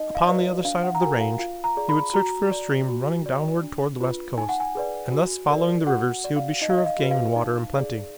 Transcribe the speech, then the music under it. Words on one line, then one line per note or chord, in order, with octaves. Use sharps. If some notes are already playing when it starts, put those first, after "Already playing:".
Upon the other side of the range he would search for a stream running downward toward the west coast, and thus following the rivers he would be sure of game and water in plenty.
Already playing: D#4 D#5
F5
F#4 B4 D5
D4 F5
F#5
A#5
F#4 A#4 G#5
F5
F4 F5
A#5
G#4 D5
B5
F#4 A#5
D5
F#4
D5
D4
F4 B4
D#4 G#5
F#5
G#5
G#4 B4 D5
F#4
A#4 D5
F#4 F#5
D5
F5
D#4 D#5
F5
D#5
F5
F#4 B4
F5
D#4
G#4 D5